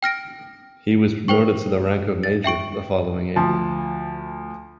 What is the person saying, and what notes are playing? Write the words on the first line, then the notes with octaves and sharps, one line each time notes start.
He was promoted to the rank of major the following April.
G5 F6 A#6 D7
A#4 C5 G5 C#6
A6
E5 G5 C#6 D7
D2 F3 A5